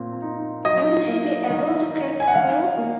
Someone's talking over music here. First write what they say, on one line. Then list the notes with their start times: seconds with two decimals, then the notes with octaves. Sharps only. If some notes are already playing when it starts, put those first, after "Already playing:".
Will she be able to crack the code?
Already playing: A#2 C4
0.22 D#4
0.65 F#3 D#5
1.08 A#3
1.50 D#3
1.93 D#4
2.20 G#5
2.27 F#5
2.35 D#3 F5
2.78 A#3